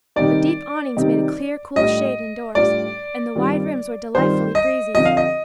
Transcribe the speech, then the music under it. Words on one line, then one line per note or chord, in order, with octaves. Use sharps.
But deep awnings made a clear cool shade indoors, and the wide rooms were delightfully breezy.
C3 D#3 G3 C4 D#4 D5
C3 D#3 G3 C4 D#4
A2 G3 D4 F4 D#5
A2 G3 D4 F4 D5
G2 D#3 G3 C4 F4
G2 D#3 G3 C4 F4 C5
D#5
D3 F3 C4 F4 D#5
F5
D#5